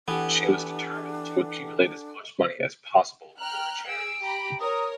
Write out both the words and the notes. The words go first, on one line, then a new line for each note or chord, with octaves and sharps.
She was determined to accumulate as much money as possible for her charities.
E3 B3 D4 G4 A4 F#5 G#5
G5 A#5 F6 F#6
G#4 E6 D7
G4 A#5 B5
A#4 C#5 D#6